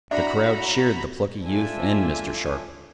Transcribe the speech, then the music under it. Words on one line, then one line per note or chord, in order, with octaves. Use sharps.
The crowd cheered the plucky youth and Mr. Sharp.
D4 E4 F#4 E5 A#5 B5
D4 F4 A4 E5 G#5